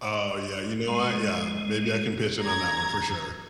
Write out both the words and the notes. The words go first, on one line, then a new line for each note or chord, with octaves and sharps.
Oh, yeah, you know what? Yeah. Maybe I can pitch in on that one for sure.
G#3
A#5 G#6